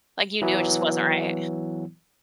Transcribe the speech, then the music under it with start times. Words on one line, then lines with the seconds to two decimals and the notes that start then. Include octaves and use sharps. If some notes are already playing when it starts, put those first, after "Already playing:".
like you knew it just wasn't right.
0.42 E3 F#3 B3 E4